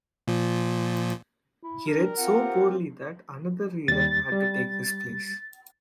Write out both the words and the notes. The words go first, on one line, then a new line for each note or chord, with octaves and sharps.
He read so poorly that another reader had to take his place.
A#2 F3
E4
G3 D4 A#4
C4 F4 G4 F#5
D#2 G3 A6
G3